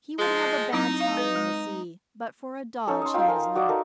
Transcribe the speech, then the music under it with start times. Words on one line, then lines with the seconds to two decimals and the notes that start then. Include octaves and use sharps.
He would have a bad time in the sea, but for a dodge he has learnt.
0.18 F3 G#3
0.72 F#3 C4 D#4 E4
1.00 F5
1.17 B4
1.35 G#3
2.87 C#4 D#4 A4
3.02 D#5 C6
3.14 D#4 F4 G5
3.28 A#4 G#5 C6
3.55 F#4 D5 D#5 D6
3.69 D#4 A4 A#4